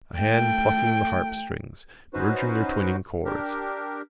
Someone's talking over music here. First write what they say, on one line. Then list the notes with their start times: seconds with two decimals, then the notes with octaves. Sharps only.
A hand plucking the harpstrings, merging their twining chords.
0.17 A3 G5
2.13 C#4 D#4 F#4 B4 C5
3.25 D4 G4 A#4